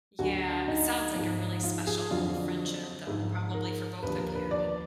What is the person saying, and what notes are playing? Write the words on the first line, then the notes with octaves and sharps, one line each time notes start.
Yeah. It sounds like a really special friendship, though, probably for both of you.
D2 D3 F#3 F#4
D#4
G#2 F3
F4
G#4
F2 D3 F#3 F4
G#2 F3
A#4
D#2 D3 F3 B4
A#4
B4
D5